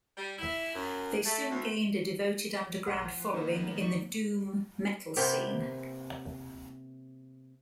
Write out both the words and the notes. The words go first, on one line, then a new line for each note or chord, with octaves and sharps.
They soon gained a devoted underground following in the doom metal scene.
G3
E4
F#2
A3
D2
A#1 F#5 C6 F6
F3
D#3 A#3 B3 D#4
D#4 D5 C#6
C3 A#3 B3 G4